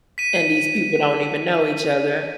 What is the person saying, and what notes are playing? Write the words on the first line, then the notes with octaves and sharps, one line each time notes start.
And these people don't even know each other.
B6 D#7